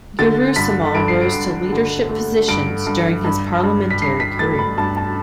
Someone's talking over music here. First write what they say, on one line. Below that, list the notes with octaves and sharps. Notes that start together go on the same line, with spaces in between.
Urusemal rose to leadership positions during his parliamentary career.
D3 A6
G2 B6
G2 D7
C7
D7
G2
D3
A3
G2 D7
G2
G2
G2
B6
G2 C7
B6
A3 A6
B5
G2 A5
A5